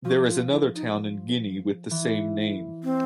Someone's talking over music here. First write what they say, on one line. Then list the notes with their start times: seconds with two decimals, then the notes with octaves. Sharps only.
There is another town in Guinea with the same name.
0.05 F3 F#4
0.28 F4
0.51 E4
0.75 D#4
1.91 E3
2.84 C4